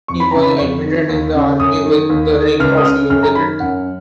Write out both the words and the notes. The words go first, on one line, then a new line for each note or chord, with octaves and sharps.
He was admitted in the Army with the rank of lieutenant.
F2 C#6
B5
C#3 A#5
B5
F2 C#6
D#3
D#2
C#3
F#2 D#6
D#3
D#2
D#3
C#2 F6
D#6
C#3 F6
F#2 F6
A#5
D#3 B5
F#2 F#5